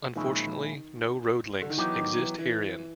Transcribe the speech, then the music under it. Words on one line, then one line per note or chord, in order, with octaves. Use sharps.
Unfortunately, no road links exist herein.
A#2 D#3 F3 G#3 C#4 E4
D3
D#3
E3 F#3 B3 D#4 G4
D#3
E3
E3